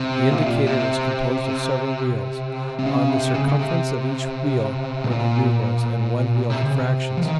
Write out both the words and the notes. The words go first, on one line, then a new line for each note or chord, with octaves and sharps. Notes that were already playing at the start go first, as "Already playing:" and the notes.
The indicator was composed of several wheels; on the circumference of each wheel were the numerals; and one wheel had fractions.
Already playing: C3
A#2
C3
A#2
C3
C3
C#3
C3
C#3
C#3
C3
A#2
C3
C#3
C3
F3
D#3